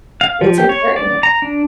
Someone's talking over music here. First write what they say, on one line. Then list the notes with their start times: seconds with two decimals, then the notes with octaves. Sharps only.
It's important.
0.21 F5
0.41 F3
0.58 G4
0.69 C#5
0.96 D5
1.23 A#5
1.42 D4